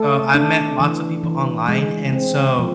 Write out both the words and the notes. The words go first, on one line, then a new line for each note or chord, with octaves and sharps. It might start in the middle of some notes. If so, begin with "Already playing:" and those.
so, I've met lots of people online, and so,
Already playing: A3 A4
D4
E3
E3
G#3
C4
F3